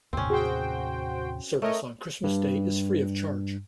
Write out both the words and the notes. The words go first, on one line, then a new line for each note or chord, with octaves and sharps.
Service on Christmas Day is free of charge.
G1 D#2 A2 C3 C4 C#4
F#4 G#4 C5 G5
A3 A#4 C#5 D#5
G2